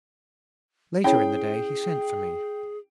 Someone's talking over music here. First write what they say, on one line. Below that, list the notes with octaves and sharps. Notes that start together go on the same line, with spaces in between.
Later in the day he sent for me.
C#4 E4 G#4 C#5 G5